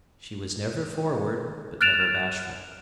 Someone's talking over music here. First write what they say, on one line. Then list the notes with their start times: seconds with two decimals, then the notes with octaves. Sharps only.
She was never forward, but never bashful.
1.81 F6 F#6 A6 D7 E7 F7